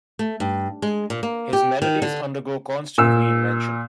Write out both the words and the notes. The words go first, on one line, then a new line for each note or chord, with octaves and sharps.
His melodies undergo constant reinvention.
A3
G2
G#3
A#2
A#3
G4
D#3
D3
A#2 E6